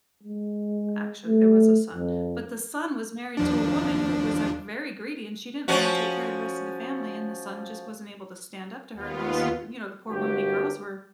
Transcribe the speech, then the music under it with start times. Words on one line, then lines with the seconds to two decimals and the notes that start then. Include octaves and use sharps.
actually, there was a son. But the son was married to a woman who was, like, very greedy, and she didn't wanna take care of the rest of the family, and the son just wasn't able to stand up to her, and those th you know, the poor women and girls were
0.23 G#3
1.26 A3
1.94 F2
3.37 D#2 F3 D4
5.68 F3 C#4 F#4
8.94 D#2 B3 F4
10.10 G1 C2 A#3 F#4 G4